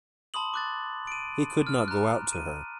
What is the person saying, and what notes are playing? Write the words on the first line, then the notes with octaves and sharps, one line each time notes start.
He could not go out to her.
A5 B5 C6 D#6 F#7
D6 F#6 A6
D7 D#7
F6
A#5 F#6
D#7